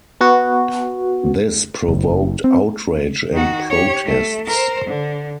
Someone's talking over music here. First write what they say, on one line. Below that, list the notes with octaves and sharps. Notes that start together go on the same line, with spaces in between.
This provoked outrage and protests.
B3 F#4
F#1
C4
D#3 F#4
G4 C#5
A3
A#4 C5
D3